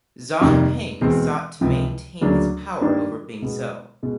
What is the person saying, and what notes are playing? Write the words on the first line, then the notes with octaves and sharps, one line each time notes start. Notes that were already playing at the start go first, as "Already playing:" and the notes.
Zhang Ping sought to maintain his power over Bingzhou.
F2 C3 D#3 G3 A#3
E2 B2 G#3 C4
C#2 C3 F3
D2 C#3 F#3 A#3 D4
G2 D#3 G3 A#3 D4
B2 G#3 B3
B2 G#3